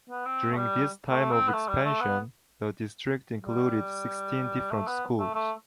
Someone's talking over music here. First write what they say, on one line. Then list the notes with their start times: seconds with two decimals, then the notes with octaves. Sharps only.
During this time of expansion, the district included sixteen different schools.
0.10 B3
0.25 C4
0.52 A3
0.57 G3
1.10 A3
1.32 C4
1.48 B3
1.53 A3
1.69 G3
1.84 A3
2.01 B3
3.44 G3
4.71 A3
4.87 B3
5.19 A3
5.35 A3